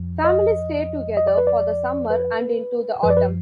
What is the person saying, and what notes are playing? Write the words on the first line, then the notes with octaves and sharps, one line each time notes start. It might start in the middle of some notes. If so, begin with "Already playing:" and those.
Families stay together for the summer and into the autumn.
Already playing: F2 F3
D#5
D#5
D5
B4
D5
B4
F#2 F3 B4
D5
B4